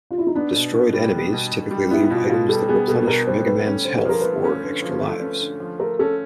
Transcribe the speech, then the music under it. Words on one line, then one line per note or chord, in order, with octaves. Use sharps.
Destroyed enemies typically leave items that replenish Mega Man's health or extra lives.
F4
E4
D#4
B3 D4
B2
B2
G3
B3
B2
B2
G3
B3 E4
B2 F4
F#4
B2 F4
G3 A4
B3 G#4
B2 A4
B2 A#4
G3 C5
A3 B4
C#4
D3 C5
B4
F3 A#4
A3 B4
C#4
D3
F3
A3
C#4
D3
F3
A3 A#4
C#4 A4